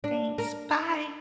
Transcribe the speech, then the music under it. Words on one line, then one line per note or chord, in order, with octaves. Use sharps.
Thanks, bye.
D4
A#4